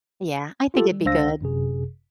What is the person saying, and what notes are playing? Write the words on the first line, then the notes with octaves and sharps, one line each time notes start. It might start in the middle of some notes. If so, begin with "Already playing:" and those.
Yeah, I think it'd be good.
F4 G4 A4
G3
C#2 D4 C5 F5 E6 A#6
G1 F#2 C3 G#4